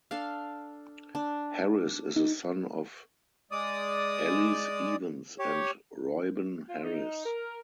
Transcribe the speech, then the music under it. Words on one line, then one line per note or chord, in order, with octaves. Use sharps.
Harris is the son of Allies Evans and Reuben Harris.
D4 A4 F5
D4
D#4
G#3 D5 D#6
G4 C#5
F4
D#4
A#4